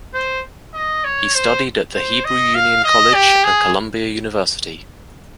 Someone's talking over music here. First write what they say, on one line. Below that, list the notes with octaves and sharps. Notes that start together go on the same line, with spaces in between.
He studied at the Hebrew Union College and Columbia University.
C5
D#5
C#5
C5
C5
D#5
F5
D#5
G4
G#4